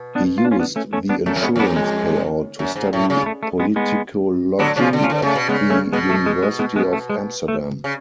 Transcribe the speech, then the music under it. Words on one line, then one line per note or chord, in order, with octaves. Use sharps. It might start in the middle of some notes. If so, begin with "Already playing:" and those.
He used the insurance payout to study politicology at the University of Amsterdam.
Already playing: B2
B3 D4
F4
D4
C#4 F4
B3 D4
A3 C#4
A3 C#4
B3 D4
F#2 A3
F2
G#3 B3
F2 B3 D4
G#3
F#2
G#2
A2
C#3
A3
A3
G#3 B3
G#3 B3
D3 F#3 B3 D4
C#3 F3 D4
C#4 F4
D3
C#4 F4
D3
C#3 A3
B2
C#3 G#3 B3
A3 C#4
B2 G#3 B3
A3
G#3
G#3
G#3 B3
G#3 B3
A3
G#3
A3
C#3